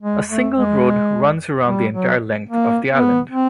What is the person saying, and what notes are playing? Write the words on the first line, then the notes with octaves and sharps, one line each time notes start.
A single road runs around the entire length of the island.
G#3
A3
G#3
G3
F#3
A#3
B3
C4